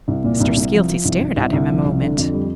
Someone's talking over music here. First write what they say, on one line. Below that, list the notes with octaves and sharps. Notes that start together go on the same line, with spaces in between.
Mr. Skeelty stared at him a moment.
C2
A#2
C2
C2
F3
F3
C2
C2
C2
C2
F3
C2
D3
F2
G3